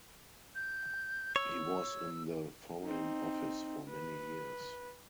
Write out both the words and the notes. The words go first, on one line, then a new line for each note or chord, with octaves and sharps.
He was in the Foreign Office for many years.
G6
C#5 E6
C4 D#4
B4